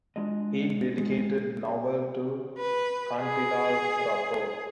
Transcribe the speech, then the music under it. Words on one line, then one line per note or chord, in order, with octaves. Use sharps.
He dedicated novel to Kantilal Rathod.
G#3 D4 F4 F#4 D#5
G#3
B4
G#4